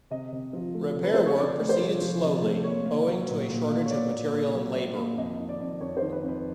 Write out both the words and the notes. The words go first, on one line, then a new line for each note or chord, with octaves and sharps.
Repair work proceeded slowly, owing to a shortage of material and labor.
C3 D#5
C3
F3
A3
C3
B4
A3 C5
C#5
C3 D5
A3
C5
F3
F3
C3
A3
A#3 C#5
A#3
F#3
A#2
A#2
A#3
C#5
A#3 D5
A#2
A#2
F#3
A#3
A#3
F2 D#5
D#3
D5
F2
F2 C#5
C5
D#3
B4
F2
B4